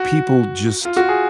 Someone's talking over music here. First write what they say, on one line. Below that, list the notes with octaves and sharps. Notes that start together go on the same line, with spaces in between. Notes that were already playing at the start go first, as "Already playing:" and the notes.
people just
Already playing: F#4
F4
F#4
G#4